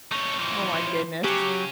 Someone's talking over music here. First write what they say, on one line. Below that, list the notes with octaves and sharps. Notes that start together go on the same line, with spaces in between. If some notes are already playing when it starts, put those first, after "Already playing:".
Oh, my goodness!
A3 C#4 D#4 C#5
E3 F3
C#3 F#3 G4